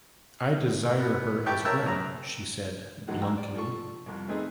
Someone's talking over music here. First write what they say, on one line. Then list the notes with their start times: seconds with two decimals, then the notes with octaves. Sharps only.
I desire her as well, she said bluntly.
0.99 B3
1.46 E4 G4 G5 A5 C#6
1.65 A#4 C#5 E5 G5 A5 E6
1.86 F#2 A#5
3.08 A1 A2 E3 F#3 G#3 F#5
3.20 G#2 G5 A#5 E6
3.38 D5
3.55 F3 A4 C#6
4.06 C2 F2
4.28 A3 B3 C4 D#4 G#4 B4